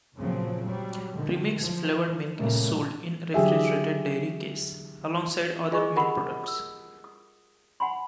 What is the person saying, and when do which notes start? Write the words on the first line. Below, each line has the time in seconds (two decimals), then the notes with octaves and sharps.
Pre-mixed flavored milk is sold in the refrigerated dairy case alongside other milk products.
0.16 G2 A#2 C#3 F3 F#3 C4
0.64 F#3 G3
1.14 D3 D#3
1.59 F3
2.37 A#2 C#3 G3 A3 A#3
3.34 D3 F#3 G4 G#4 E5
5.72 F4 G#4 D#5 G#5 C#6
5.97 G4 A#4 F#5 B5 D#6
6.44 D#6 E6
7.04 D#6
7.80 F#5 G#5 B5 C6